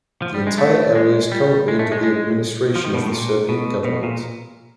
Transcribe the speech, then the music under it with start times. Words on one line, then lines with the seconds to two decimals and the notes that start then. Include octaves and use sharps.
The entire area is currently under the administration of the Serbian government.
0.22 F3
0.34 G3
0.47 G#3
0.58 A3
0.95 G#3
1.32 G3
1.68 G#3
1.79 A3
1.92 G#3
2.03 G#3
2.76 F3
2.85 D#3
2.95 B2
3.03 A2
3.12 A#2
3.49 B2
3.85 B2
4.03 A#2